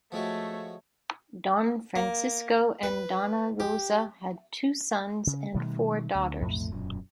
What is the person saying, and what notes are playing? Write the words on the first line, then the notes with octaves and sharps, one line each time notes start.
Don Francisco and Donna Rosa had two sons and four daughters.
F3 G#3 A3 F#4 C#5
A#3
B4
G4
C#3
B2 D#3 G3 A3
D2
B1 F2 A2 A3
E1 F#2 A#2